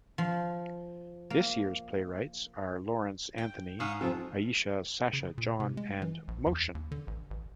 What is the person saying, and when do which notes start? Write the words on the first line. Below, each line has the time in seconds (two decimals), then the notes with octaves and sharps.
This year's playwrights are Laurence Anthony, Aisha Sasha John and Motion.
0.18 F3
1.30 A#3
3.38 G5
3.80 G#2 F5 C#6 D#6
4.01 F2 F3 C4 A4
5.13 C#3
5.38 A#2
5.60 C3
5.77 G#3
6.02 E3
6.28 A#1
6.46 E2
6.75 D#2
6.91 D3
7.07 A1
7.31 A1